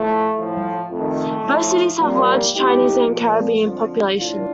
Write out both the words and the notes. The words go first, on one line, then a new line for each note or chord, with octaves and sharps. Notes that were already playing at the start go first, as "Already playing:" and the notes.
Both cities have large Chinese and Caribbean populations.
Already playing: A2 F3 A3
A2 F3
F2 D#3 A3
A2 F3
A#2 F3 G3 A#3
A2 F3 D#4 G4
A#2 F3
F2 D3 F3
A2 F3 D4 F4